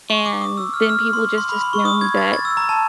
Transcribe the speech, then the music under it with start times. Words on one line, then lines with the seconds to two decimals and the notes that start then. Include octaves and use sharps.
and then people, just, assume that
0.10 C#6
0.26 D6
0.41 D#6
0.58 E6
0.74 F6
0.89 F6
1.13 C6
1.38 C6
1.49 B5
1.61 C6
1.73 C#6
1.85 D#6
2.01 G#6
2.17 A6
2.33 A6
2.45 E6
2.57 A#5
2.69 A5